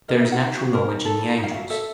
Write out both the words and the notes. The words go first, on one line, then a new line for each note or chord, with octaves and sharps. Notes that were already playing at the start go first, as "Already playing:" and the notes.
But there is natural knowledge in the angels.
A#4 D#5
E5
D#4
F#5
D#4 F5
F#4
A#4
D#4
A4
D#4
D#4
F5
F#4 E5
A4 E5